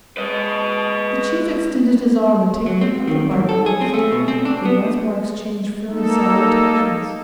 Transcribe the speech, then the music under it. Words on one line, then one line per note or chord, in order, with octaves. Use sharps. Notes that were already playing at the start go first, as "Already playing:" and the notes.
The chief extended his arm and taking the other by the wrist, they once more exchanged friendly salutations.
G#3 B4 D#5
F#3
C4
D#3
G2
A4
G#4
C4
A3
B2
C4
D4
B3
A#3 D#4 A4